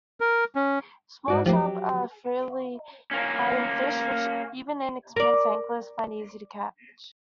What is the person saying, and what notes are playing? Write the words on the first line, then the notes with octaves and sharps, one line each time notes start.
Small chub are freely biting fish which even inexperienced anglers find easy to catch.
A#4
C#4
G#2 F#4 D5
F3 F#3 A#3 G4
A#3 C#4
A#4 D5